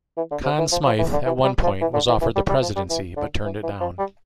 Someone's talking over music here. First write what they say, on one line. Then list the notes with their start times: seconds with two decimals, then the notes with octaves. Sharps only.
Conn Smythe, at one point, was offered the presidency, but turned it down.
0.17 E3
0.31 D3
0.44 C3
0.58 E3
0.72 F3
0.86 F3
0.99 E3
1.13 D3
1.26 E3
1.44 G3
1.63 F3
1.81 E3
1.94 D3
2.08 E3
2.21 E3
2.35 G3
2.49 G3
2.62 F3
2.76 G3
2.90 E3
3.16 D3
3.44 E3
3.63 E3
3.81 F3
3.99 G3